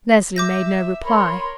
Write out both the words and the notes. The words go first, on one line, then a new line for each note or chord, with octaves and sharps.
Leslie made no reply.
E5 D6 G6 A#6
A#4 C#5 B5 C6